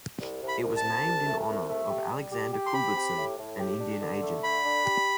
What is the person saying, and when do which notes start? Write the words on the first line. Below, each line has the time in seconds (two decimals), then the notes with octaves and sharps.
It was named in honor of Alexander Culbertson, an Indian agent.
0.20 C2
0.42 C2
0.48 B5
0.63 C2
0.77 A5
0.84 C2
1.05 C2
1.26 A3
1.47 C2
1.68 A3
1.89 G4
2.11 G3
2.32 G4
2.53 G4
2.66 C6
2.73 C4 B5
2.95 G4
3.16 A2
3.37 A2
3.58 G4
3.79 D4
4.01 D3
4.22 A3
4.43 D3 B5
4.64 D4
4.84 G4